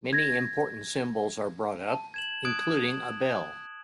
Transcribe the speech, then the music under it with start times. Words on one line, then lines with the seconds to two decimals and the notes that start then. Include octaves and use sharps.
Many important symbols are brought up, including a bell.
0.13 G#6 A#6
1.90 A5
2.14 G#6 E7 F#7
2.45 D#6 F#6 G#6 D7